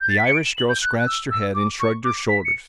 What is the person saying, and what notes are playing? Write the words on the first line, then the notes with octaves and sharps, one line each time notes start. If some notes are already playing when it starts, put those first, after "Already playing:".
The Irish girl scratched her head and shrugged her shoulders.
G6
A6
B6
C#7
D7
E7
F#7
G6
F#6
F#6
E6
E6
D6
C#6
D6
B6
C#7